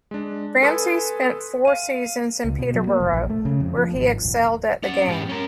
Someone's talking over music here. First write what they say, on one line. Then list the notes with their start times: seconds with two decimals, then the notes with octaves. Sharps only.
Ramsay spent four seasons in Peterborough where he excelled at the game.
0.11 G#3 D4
0.62 A4 B4 G#5 C6 D#6
1.65 F5 D#7
2.44 C#2
2.59 B2
2.75 F#3
2.87 A#3
3.00 F1
3.13 A#1
3.30 A3
3.45 C#3
3.60 F2
3.77 F3
3.95 G#1
4.23 D#1
4.83 C#4 F#5
5.08 G#2 G4
5.29 C#4 A#4